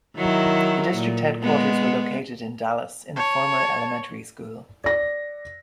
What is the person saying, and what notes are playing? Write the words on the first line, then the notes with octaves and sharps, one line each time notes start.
The district headquarters were located in Dallas, in a former elementary school.
D#3 F#3 E4
A#2
G#3 B3
C#5 A5
D5 A#6